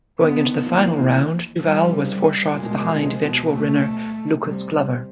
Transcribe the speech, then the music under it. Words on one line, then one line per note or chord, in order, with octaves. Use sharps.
Going into the final round, Duval was four shots behind eventual winner Lucas Glover.
D3 B3
D#3
F3 A#3
E3
D#3
E3
F3 G3
F3
D#3
C3
C#3
G3
A#2 G#3
B2
A#2
C#3
C3
B2
B2 A3
C3 G3